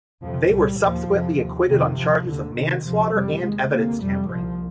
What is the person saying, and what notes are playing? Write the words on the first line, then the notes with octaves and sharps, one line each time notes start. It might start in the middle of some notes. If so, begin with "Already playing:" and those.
They were subsequently acquitted on charges of manslaughter and evidence tampering.
F2 C3 F3
C2 A#2 G3
D#2 F3
F2 C3
D#2
F2 C3 D#3
D#2 F3
D#2 D3
C2 C3 D#3
D2 C3 F3
F2 C3 G3
D#2 G#3
D2 C3 A#3
F2 C3 G3
C2 A#2 F3